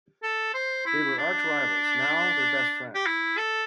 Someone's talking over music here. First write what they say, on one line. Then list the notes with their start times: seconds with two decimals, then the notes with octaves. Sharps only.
They were arch rivals, now they're best friends.
0.23 A4
0.55 C5
0.86 E4
1.18 D4
2.95 G4
3.07 E4
3.38 A4